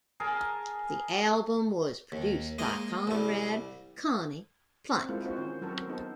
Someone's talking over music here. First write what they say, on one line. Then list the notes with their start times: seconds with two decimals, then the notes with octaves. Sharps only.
The album was produced by Konrad "Conny" Plank.
0.20 G#4 A#4 A5
2.12 D#2
2.59 G#3 A#3 D#5
3.07 C2 G3
4.93 C4 C5
5.09 G#3 A#3 C4 E4 F4 C5
5.24 C4 D#4 F4 F#4 C5
5.37 D#3 C#4 C5
5.61 F#3 C4 F#4 A4 A#4 C5
5.88 B3 D#4 A4 C5